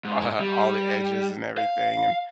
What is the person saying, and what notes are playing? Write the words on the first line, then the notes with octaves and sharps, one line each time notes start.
uh, all the edges and everything, and
G#2
G3
F5